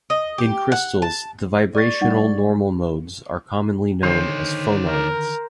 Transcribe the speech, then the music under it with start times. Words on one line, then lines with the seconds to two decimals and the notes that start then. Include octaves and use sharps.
In crystals, the vibrational normal modes are commonly known as phonons.
0.10 D#5
0.38 G4
0.72 F#5
1.02 A5
1.75 D5 C#6 A6
2.01 G3 D#4 F#5
4.03 D3 D#3 D#4 C5 C#5
4.88 A#4